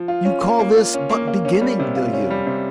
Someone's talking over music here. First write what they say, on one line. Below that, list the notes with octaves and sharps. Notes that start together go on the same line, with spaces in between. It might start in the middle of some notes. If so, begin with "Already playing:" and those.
You call this but beginning, do you?
Already playing: F3
F4
C#4
A#3
A#3
F4
C#4
A#3
A#3
C#4
G3
C3
F4
C#4
G3
C3